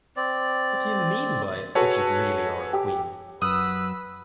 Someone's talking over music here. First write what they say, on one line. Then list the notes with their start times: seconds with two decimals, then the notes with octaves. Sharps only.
What do you mean by “If you really are a Queen”?
0.16 C4 D5
1.75 F#4 G#4 A4 B4 C#5
2.73 G4
3.42 F#2 B4 F#5 D#6 E6